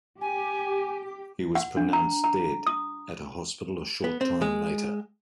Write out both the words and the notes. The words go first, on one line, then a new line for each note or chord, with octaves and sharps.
He was pronounced dead at a hospital a short time later.
G4 G#5
F#5
D4
A#5
A#5
D#6
B3
C4
G#3